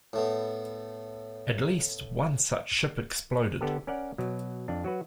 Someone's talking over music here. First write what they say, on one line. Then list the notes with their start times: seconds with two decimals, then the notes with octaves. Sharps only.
At least one such ship exploded.
0.13 A2 A3 B3
3.61 D3 B3 G4 A4
3.87 C#4 A#4 D5 F#5
4.18 B2 F#3
4.68 F2 D4
4.84 F#3 F#4 B4